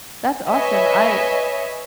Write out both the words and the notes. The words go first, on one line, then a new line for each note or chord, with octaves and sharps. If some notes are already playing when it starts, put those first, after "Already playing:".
That's awesome. I
B4 C#5 D#5 E5 G#5